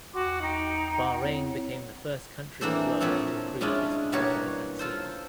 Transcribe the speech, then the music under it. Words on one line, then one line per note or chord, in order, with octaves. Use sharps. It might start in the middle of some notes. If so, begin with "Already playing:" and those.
Bahrain became the first country in the world to approve this particular vaccine.
E2 F#4 C6 D6
D#4 G5 A#5
F#5
C4 E4 C#5
E3 A#3 C4 D4 A4 C5
A#2 F3 C4 A4 C#5
G#3 C#4 D4 E4 F4
B2 G3 A#3 F#4 C#5
F4 A4 C5